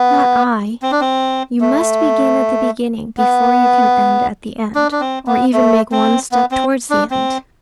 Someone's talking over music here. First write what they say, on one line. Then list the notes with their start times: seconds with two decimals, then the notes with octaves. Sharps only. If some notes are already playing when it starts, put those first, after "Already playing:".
Not I. You must begin at the beginning, before you can end at the end, or even make one step towards the end.
Already playing: B3
0.82 C4
0.91 D4
1.01 C4
1.61 A3
3.18 B3
4.75 D4
4.92 D4
5.01 C4
5.27 B3
5.53 A3
5.92 C4
6.32 B3
6.51 C4
6.90 D4
7.10 C4